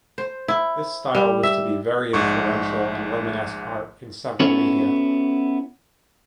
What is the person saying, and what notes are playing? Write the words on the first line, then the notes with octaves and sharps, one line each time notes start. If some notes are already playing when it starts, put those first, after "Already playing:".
This style was to be very influential on Romanesque art in several media.
C5
E4
G3
E5
A#1 G#2 C#6
B3 C#4 E4 F#4 A4 C#5